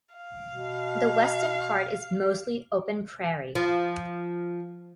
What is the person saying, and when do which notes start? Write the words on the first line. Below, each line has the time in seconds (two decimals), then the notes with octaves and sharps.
The western part is mostly open prairie.
0.15 F5
0.49 B2
3.55 F3